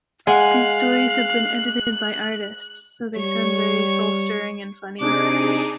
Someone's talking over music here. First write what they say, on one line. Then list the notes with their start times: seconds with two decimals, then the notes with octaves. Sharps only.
These stories have been edited by artists, so they sound very soul-stirring and funny.
0.27 G#3 F5 F#5 G#5 F#6
3.17 G3 C#5 C#6
5.01 C3 D4 D#4 G#4 D6